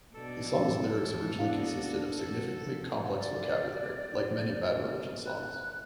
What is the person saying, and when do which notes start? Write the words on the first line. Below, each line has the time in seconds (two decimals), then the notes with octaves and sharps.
The song's lyrics originally consisted of significantly complex vocabulary, like many Bad Religion songs.
0.14 B2 D4 A4
1.00 E3
1.39 B3 D4 E4 F#4 F5
2.18 F#4 A4
3.17 D5
5.26 F#6